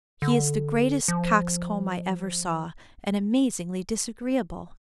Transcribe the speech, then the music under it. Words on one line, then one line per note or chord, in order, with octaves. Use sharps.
He is the greatest coxcomb I ever saw, and amazingly disagreeable.
D3
F3